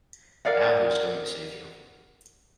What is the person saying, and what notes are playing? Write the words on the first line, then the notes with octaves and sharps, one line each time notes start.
Now who is going to save you?
A#4 D5 F5 F#5